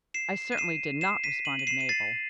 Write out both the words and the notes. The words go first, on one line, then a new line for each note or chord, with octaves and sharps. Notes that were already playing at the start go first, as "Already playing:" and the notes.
"I certainly did not," responded Mabel.
C7 E7
D#7
C7 E7
C7 E7
B6 D#7
D#7 F#7
D#7
C7 E7
D#7
A6 C7